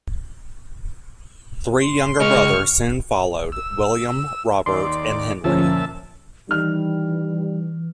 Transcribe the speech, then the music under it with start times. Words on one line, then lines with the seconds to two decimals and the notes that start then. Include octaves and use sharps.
Three younger brothers soon followed: William, Robert, and Henry.
1.82 C6
2.20 C#3 G#3 C#5 D#5 C#6 F6
3.52 E6
4.66 D#2 D5 C6
5.44 D2 A#2 F3 C#4 E5 A5
6.49 D#3 E3 G3 F6